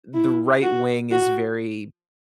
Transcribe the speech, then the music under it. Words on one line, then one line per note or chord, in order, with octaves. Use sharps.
the right wing is very
E4
F#4
F#4